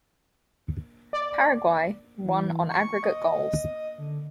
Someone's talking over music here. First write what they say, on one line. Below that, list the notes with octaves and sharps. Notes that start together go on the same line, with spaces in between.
Paraguay won on aggregate goals.
D5
E3
C#6
D#5
D3